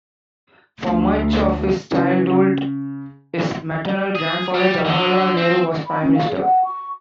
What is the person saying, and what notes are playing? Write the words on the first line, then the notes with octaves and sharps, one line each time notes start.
For much of his childhood, his maternal grandfather Jawaharlal Nehru was Prime Minister.
D2
C#3 E3
C#3
G#4
G3
D3
C4
B5
C#4
F5
G#4
F#5
C#6